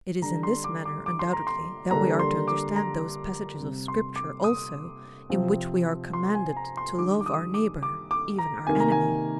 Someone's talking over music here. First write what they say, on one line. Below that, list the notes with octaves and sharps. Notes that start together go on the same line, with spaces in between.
It is in this manner, undoubtedly, that we are to understand those passages of Scripture also in which we are commanded to love our neighbour, even our enemy.
D3 G3 D4 A#5
C6
D6
D6
D6
C6
A#5
C6
D3 G3 A#3 D4 A#5
C6
D6
A#5
C3 G3 C4
C6
D6
D#6
C3 F3 C4
C6
G#5
A#5
C6
D#3 G3 D4 D6
D6
D#6
D6
D6
D6
A#5
C3 D#3 A#3 G#5
A#5
G#5